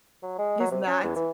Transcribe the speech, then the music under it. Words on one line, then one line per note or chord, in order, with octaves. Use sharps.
is not
F#3
G#3
F#3
C3
C#4
E2
E3